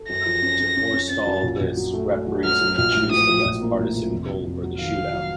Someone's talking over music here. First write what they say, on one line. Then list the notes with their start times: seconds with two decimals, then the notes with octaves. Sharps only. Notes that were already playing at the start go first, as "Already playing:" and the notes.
To forestall this, referees may choose the less partisan goal for the shootout.
Already playing: A4
0.09 F#2 A#6
0.26 F3
0.42 C#4
0.60 C#4
0.76 C#4
0.93 C#4
1.10 C#4 A6
1.27 F#2
1.43 A#1
1.61 A#1
1.77 F#3
1.94 A3
2.11 A3
2.27 F#3
2.45 F#3 F6
2.61 F#3
2.78 A#1 F6
2.95 A2
3.12 F3 D#6
3.29 F3
3.45 A#1
3.62 A#3
3.79 A2
3.95 A#1
4.12 F1
4.29 F#3
4.46 F2
4.63 F#3
4.79 D#3 F5
4.96 D#3
5.13 F#3